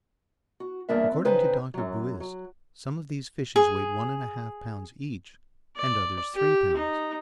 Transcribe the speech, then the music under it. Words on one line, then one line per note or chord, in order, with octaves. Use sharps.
According to Dr. Buist, some of these fishes weighed one and a half pounds each and others three pounds.
F#4
E2 G2 A#3 D4 E5
C4
C#3 D#4 B4 C5 G5
F#2 F#3
F#3
G#4
D5
G4
D#4